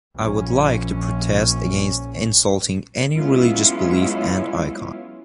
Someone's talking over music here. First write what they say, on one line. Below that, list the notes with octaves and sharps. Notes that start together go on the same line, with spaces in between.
I would like to protest against insulting any religious belief and icon.
A#1 C#4
F#3 G#3 B3 C#4 E4 F4